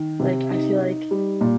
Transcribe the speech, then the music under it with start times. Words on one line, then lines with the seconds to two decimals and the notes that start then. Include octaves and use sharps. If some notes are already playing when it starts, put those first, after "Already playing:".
Like, I feel like
Already playing: D#3
0.20 C3
0.50 D#4
0.80 D#4
1.11 G3
1.41 A#2